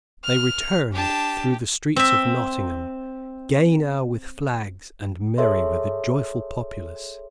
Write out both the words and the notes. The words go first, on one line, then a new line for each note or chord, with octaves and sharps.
They returned through the streets of Nottingham, gay now with flags and merry with a joyful populace.
F6
D4 G4 A5
C4 E5
G#4 A4 C#5 E5 C6